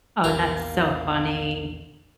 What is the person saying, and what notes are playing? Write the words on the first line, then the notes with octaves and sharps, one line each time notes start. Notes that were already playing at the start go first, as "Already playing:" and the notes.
Oh, that's so funny.
A#1 E2 F4 G4 A#4 F5